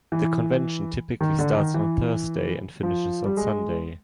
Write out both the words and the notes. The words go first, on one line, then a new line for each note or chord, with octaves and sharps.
The convention typically starts on Thursday and finishes on Sunday.
E3
D#3
D3
D#3
E3
F3
G3
G#3